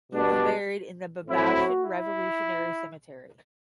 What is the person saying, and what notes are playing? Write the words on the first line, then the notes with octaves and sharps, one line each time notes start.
He was buried in the Babaoshan Revolutionary Cemetery.
B2 G3 B3 D4
A2 F#3 C4 E4
F#4
E4